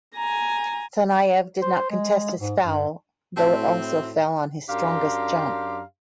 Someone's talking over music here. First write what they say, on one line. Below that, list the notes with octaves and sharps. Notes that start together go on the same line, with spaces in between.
Saneyev did not contest his foul, though it also fell on his strongest jump.
G#5 A#5
C5
G#3
G#2
G2
A2 C4 F#4 E5 A5 C6
F#2 D4 G4 F5 A#5 C6